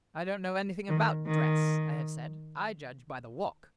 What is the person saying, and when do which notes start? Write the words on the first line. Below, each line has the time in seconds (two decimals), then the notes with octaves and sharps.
"I don't know anything about dress," I have said; "I judge by the walk."
0.89 D#3
1.27 D#3